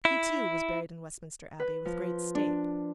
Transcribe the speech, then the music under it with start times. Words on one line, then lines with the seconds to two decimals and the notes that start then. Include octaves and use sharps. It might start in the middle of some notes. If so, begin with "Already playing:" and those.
He, too, was buried in Westminster Abbey, with great state.
0.05 E4
1.60 B4
1.85 F3
2.35 D4